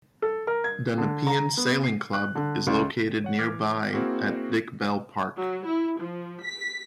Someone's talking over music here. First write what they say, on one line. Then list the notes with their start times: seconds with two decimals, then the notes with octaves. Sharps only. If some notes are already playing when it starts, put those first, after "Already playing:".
The Nepean Sailing Club is located nearby at Dick Bell Park.
0.22 A4
0.47 A#4
0.64 G#6
0.98 D3
1.27 A#5
1.57 B3
1.83 C7
2.13 F#6
2.35 D3
2.67 C#2
3.24 C#5 F#5
3.39 E3 D6 F6 G#6
3.93 A#3 C4 E4 F#4 G#4
5.36 F#3
5.65 E4
6.00 F3
6.42 B6